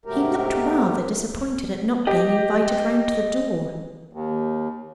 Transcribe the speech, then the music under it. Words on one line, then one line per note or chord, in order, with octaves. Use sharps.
He looked rather disappointed at not being invited round to the door.
G#2 C3 F#3 A3 G4 A#4
G4 D#5
D#2